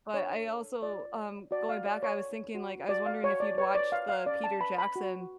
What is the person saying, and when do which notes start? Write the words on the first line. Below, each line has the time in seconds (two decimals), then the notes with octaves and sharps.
But I also, um, going back, I was thinking, like, I was wondering if you'd watched the Peter Jackson,
0.14 D4 C#5
0.48 A4
0.83 F4 D5
1.17 C#5
1.51 F#4 D5
1.69 F5
1.86 C#5 D5
2.03 C#5
2.21 A4
2.55 F#4
2.89 F#4 D5
3.06 F5
3.24 F#4 C#5
3.40 D5
3.58 B4 C#5
3.75 D5
3.92 B4 F5
4.09 F5
4.26 C#4 D5
4.44 A5
4.60 B4 B5
4.78 B5
4.96 F#4